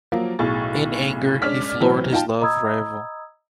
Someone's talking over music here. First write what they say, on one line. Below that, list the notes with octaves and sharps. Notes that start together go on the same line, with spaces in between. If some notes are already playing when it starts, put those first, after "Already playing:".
In anger, he floored his love rival.
F3 F#3 A#3
B1 A2 G#4 C#6 A6
G#3 C#4 D4 D5 F6 B6
A2 E3 F#3 B3 C4 E4
D#4 F4 G5 A5
D#5 A#5 B5 D#6 E6 G#6